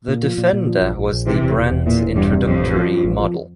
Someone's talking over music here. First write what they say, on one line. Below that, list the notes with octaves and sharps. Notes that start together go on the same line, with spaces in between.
The Defender was the brand’s introductory model.
A#2
F3
A#2
A#2
F3
A#1
A#1
A#1
C3 E3
E1
E1
E2
A#2 E3
E1
E2 G2
C3
A1 F2
A1
F3
F3
A1
F3